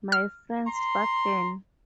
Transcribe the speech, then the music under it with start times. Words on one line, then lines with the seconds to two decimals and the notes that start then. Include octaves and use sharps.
My friend's buggin'.
0.12 F6
0.66 A#5 C6